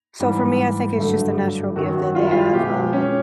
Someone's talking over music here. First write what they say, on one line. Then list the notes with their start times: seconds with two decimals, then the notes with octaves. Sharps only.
So, for me, I think it's just a natural gift that they have, uh,
0.20 G#2 E3 G3
0.97 G2 D3 F#3 A3
1.76 F#2 D#3 F#3 F#4
2.15 F4
2.23 E4
2.32 F4
2.53 B2 G#3 G4
2.93 C#4